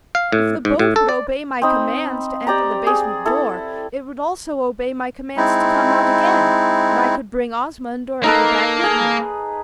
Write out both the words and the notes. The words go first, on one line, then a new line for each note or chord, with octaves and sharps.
"If the boat would obey my commands to enter the basement door, it would also obey my commands to come out again, and I could bring Ozma and Dorothy back with me."
F5
A2
G#2
A2
A4
D5
C4 D#4 B5
G4 D5 G5 A#5
G#4
E4 A4
G#3 C4 D#4 E4
A#3 D#4 A4 B4
G#4